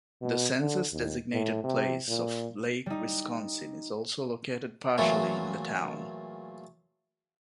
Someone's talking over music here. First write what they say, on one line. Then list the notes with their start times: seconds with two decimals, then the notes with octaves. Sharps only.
The census-designated place of Lake Wisconsin is also located partially in the town.
0.21 B2
0.59 D3
0.92 D#2
1.32 A2
1.64 C3
2.08 A#2
2.86 G3 D#4
4.98 E2 A#2 F#3 A3 E4